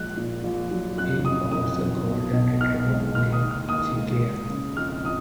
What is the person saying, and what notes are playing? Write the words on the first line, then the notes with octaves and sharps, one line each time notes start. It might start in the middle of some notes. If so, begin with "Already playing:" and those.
He owns a golden retriever named Che Keir.
Already playing: A#1 G#3 F#6
A#2
A#1
F#3
F2 F#6
C#3 D#6
F2 D#6
F#3
B1
B2
B1 F6
G#3
D#2 F6
D#6
D#3
F6
D#2 D#6
G#3
G#3
C#3
F2 F6
F3 D#6